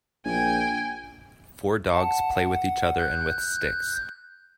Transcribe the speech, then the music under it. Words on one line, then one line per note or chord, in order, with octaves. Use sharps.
Four dogs play with each other and with sticks.
A#1 G5 G#5
F#5 A5
F#5
F#6 G6